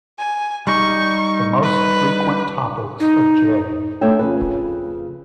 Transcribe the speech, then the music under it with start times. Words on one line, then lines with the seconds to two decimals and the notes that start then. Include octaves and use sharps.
The most frequent topics of J.
0.19 G#5
0.67 G3 D#4 C#6
1.63 B4
3.00 D#4
4.01 A3 D4 A4 C#5 E5 G5
4.19 F2 C#3 B4